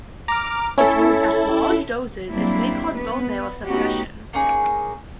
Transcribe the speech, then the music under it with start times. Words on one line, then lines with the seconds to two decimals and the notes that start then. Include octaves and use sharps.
If used at large doses it may cause bone marrow suppression.
0.28 A#5 D6 F6
0.78 C#4 E4 A4
2.30 F#3 G3 A#3 C4 D4 E4
2.95 B3 B4
3.66 A3 B3 C#4 D#4 F#4 G4
4.33 A#3 C#4 D#4 G#4